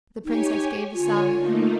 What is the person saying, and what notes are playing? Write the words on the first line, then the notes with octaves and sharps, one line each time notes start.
The princess gave a sigh.
D#4 G4 C#5 G#5
D3 F4 C#5 G#5
A3 A#3 D#4